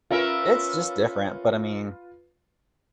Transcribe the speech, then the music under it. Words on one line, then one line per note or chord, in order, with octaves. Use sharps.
it's just different, but, I mean,
C#4 F4 A#4 B4 E5